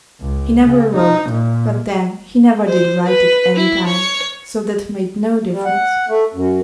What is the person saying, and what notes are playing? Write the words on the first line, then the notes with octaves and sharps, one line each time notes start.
He never wrote; but, then, he never did write at any time, so that made no difference.
C#2
C#3
D#4
A#2
C5
B4
E4
C#5
G3
F#5
A3
F#2